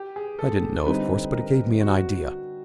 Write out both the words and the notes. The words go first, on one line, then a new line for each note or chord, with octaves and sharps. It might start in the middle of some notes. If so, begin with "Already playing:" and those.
I didn't know, of course, but it gave me an idea.
Already playing: G4
G#4
A4
D3 G3 C4 D#4 B4
A#4
F#4